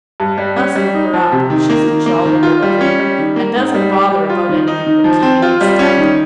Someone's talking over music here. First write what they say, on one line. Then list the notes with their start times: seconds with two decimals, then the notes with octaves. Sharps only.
Must look her up; she's a jolly little thing, and doesn't bother about anything but keeping in step.'
0.20 G2
0.38 G3
0.57 C#4
0.76 G3
0.94 D#4
1.13 F3
1.32 C3
1.50 D#3
1.69 A#3
1.88 D#3
2.06 A#3
2.25 D#3
2.43 F4
2.63 G3
2.81 C#4
2.99 G3
3.18 D#3
3.36 A#3
3.55 G#2
3.75 G3
3.92 G4
4.11 G3
4.30 F4
4.49 D#3
4.68 D#4
4.86 D#3
5.04 F3
5.23 C4
5.42 F4
5.61 G3
5.79 C#4
5.98 D#3